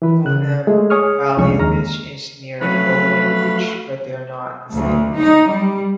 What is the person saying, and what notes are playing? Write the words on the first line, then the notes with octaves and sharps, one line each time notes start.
Mona Vale Beach is near Bungan Beach but they are not the same.
E3 B4
C#3 F#6
G#3 A3 G#4
G#4 C#5 C#6 D#6 F6
C2 F2 G#3 C#4 D4 C#6
D#2 G#3 A#5 F6
F2 F#3 A3 C#4 F#4 B4 F5 B5
D2
D#4
G3